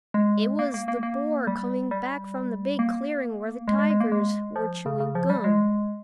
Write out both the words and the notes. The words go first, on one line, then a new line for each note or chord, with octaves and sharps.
It was the boar coming back from the big clearing where the tigers were chewing gum.
G#3
A#3
A#3
A#3
A#3
G3
G3
A#3
G#3
G#3
G#3
A#3
G#3
F3
C#3
C#3
F3
G3
G#3